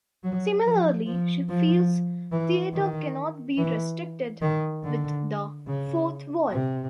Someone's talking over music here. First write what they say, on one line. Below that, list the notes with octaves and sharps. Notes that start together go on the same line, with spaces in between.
Similarly, she feels theatre cannot be restricted with the "fourth wall".
F#3
F3
F3
F3
E3
D#3
E3
D#3
D3
C#3
C3